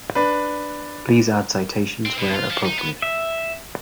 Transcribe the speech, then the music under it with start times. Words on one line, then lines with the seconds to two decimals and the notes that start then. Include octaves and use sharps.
Please add citations where appropriate.
0.15 D4 B4
2.06 C4
2.18 B2
2.35 F4
2.50 F3
2.65 D#4
2.79 B3
3.02 E5